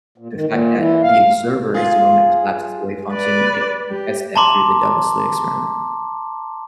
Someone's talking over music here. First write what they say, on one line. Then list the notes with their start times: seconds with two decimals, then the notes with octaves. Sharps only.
the fact that the observer is the one that collapses the wave function, and we can test that through the double-slit experiment.
0.18 A#2
0.34 D#3
0.46 A#2
0.76 E3
1.03 F5
1.74 F4 G#4
3.12 B4 D5
3.90 G4
4.36 A5 A#5 C6 D6